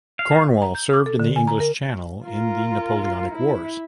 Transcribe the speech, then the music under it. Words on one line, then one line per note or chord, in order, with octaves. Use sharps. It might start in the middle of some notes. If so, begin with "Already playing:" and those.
"Cornwall" served in the English Channel in the Napoleonic Wars.
F5
A#5
G6
D6
A4
D3
G#5
A#5
A#4
F4 A#4
E4